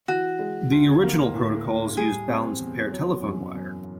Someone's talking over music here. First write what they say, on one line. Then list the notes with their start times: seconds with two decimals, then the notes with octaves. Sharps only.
The original protocols used balanced pair telephone wire.
0.08 E3 F#4
0.39 G#3
0.71 D2
1.03 A#3
1.34 A2
1.66 A2
1.97 G3 G#4
2.28 C4
2.60 E2
2.91 F#3
3.22 F#2
3.54 F#2